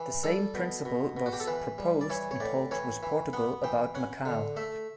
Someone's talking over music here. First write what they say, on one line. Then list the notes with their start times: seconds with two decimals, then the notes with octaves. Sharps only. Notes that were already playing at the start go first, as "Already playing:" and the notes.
The same principle was proposed in talks with Portugal about Macau.
Already playing: E3
0.23 G3 A4
0.55 B2
0.85 B2
1.17 B2
1.26 F#4
1.33 G4
1.40 A4
1.47 E3 B4
1.78 G3
2.01 D5
2.10 E3 C#5
2.31 C#5
2.40 A2 D5
2.71 E3 C#5
3.03 E3
3.33 B3 F#5
3.64 E3 G5
3.95 C#4 F#5
4.25 D3
4.56 A3 E5